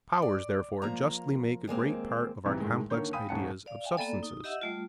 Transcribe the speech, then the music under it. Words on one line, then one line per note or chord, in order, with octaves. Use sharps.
POWERS therefore justly make a great part of our complex ideas of substances.
D5
F3 A#3 A#5
D#2 G#3 A#3 C4
B1 G#2 C3 E3 G3
A2 D#3 G#3
D3 D#3 A#3 C#5 C#6 G6
F5 G5 G#5 B5 D#6 D#7
D#1 G#2 C#4 F#5 A5 C#7
D5 F5
E5 F5 G5 G#5
A#3 B3 A4 D5
D#4
G4 D#5 E5 F#5 E6
G3 A3 F4